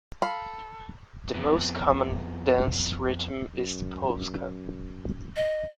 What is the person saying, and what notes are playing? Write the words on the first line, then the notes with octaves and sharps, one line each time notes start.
The most common dance rhythm is the polska.
A4 F5 B5
F2 B3
F#2
D#5